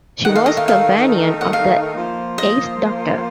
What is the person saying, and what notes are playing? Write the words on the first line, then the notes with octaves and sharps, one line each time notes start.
She was a companion of the Eighth Doctor.
D#3 A3 D#4 A#4 F#5
F5
D#5
F5
F5
F#5
F5
F3 A#3 F4 C5
D#5